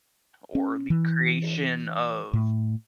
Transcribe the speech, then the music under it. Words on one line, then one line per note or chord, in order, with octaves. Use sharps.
or the creation of,
C#4
E3
A2